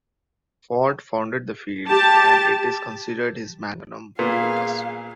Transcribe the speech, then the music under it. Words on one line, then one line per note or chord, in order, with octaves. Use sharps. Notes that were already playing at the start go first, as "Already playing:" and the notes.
Ford founded the field and it is considered his "magnum opus".
G4 A5
A#2 B3 G#4 F5